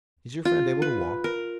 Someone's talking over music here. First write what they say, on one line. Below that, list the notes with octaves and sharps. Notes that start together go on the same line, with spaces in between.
"Is your friend able to walk?"
F4
B4
A#4